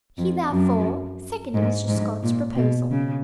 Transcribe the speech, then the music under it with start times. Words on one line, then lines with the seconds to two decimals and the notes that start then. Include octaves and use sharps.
He therefore seconded Mr. Scott's proposal.'
0.18 F2
0.52 F#2
1.54 G#2
1.88 G#2
2.23 A#2
2.56 B2
2.91 C#3